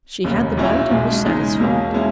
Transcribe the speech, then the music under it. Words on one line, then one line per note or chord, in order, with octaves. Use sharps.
She had the bite and was satisfied.
E1 D#2 C#3
A#1 A#2 F#3 C#4 E4
B1 B2 G#3
E2 C#3 G#3 D#4
E2 B2 A#3 C#4
B2 G#3 C#4 E4